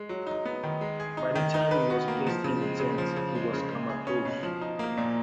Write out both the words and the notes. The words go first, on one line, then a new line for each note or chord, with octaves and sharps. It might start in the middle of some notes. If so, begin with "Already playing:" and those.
By the time he was placed in the tent, he was comatose.
Already playing: G#3
F#3
D#4
B3
D#3
G#3
G#4
D#4
D#3
D#4
B4
F#4
A#3
F3
C#3
G#3
C#3
F3
C#3
G#3
C#3
G#3
G#4
C#4
B2
F3
D#4
A#3
A#2